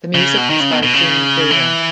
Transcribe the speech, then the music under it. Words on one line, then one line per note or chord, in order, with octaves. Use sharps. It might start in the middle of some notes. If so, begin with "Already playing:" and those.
The music was by Jim Dale.
C#3
B2
D#3
C#3
B2
B2
C#3
E3